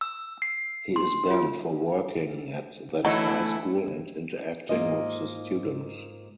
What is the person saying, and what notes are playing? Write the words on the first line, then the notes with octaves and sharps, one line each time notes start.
He is banned for working at that high school and interacting with the students.
E6
C7
C6
F4
D3 E3 F#3 A3 E4 D#5
G#2 A#3 F4 D#5